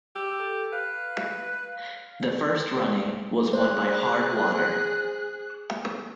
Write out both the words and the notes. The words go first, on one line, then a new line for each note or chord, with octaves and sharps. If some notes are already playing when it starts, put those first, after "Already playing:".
The first running was won by Hard Water.
G4 E6
A4
B4 F5
G#4 C5 F#6